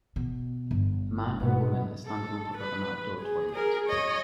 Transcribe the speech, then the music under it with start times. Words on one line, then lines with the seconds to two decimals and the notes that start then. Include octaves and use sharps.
A man and a woman are standing on top of an outdoor toilet.
0.16 B2
0.71 G1
1.40 G#2 B2 B3
2.06 A4
2.57 B4
3.20 G#4
3.52 G#4 A#4
3.88 C#5 D#5